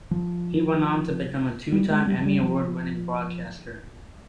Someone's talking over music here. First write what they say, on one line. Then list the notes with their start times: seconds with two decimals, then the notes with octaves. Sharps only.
He went on to become a two-time Emmy Award winning Broadcaster.
0.11 F3
1.72 G3
1.90 G#3
2.07 G3
2.18 F3
2.26 G3
2.43 F3